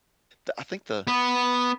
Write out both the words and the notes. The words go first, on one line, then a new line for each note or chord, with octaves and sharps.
t I think the
B3